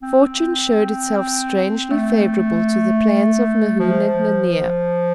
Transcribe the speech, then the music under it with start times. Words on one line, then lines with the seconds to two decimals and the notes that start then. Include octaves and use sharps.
Fortune showed itself strangely favourable to the plans of Nahoon and Nanea.
0.03 C4
1.91 A3
3.80 F3